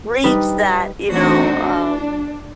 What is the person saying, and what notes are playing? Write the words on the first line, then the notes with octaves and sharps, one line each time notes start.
Reads that, you know, um
G3 D#4 B4
E3 A3 C4 D4 D#4 F#4
D4